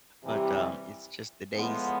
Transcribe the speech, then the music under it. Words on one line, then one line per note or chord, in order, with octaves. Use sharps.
but, um, it's just the days,
C3 E3 G3
A2 F3 G#3 B3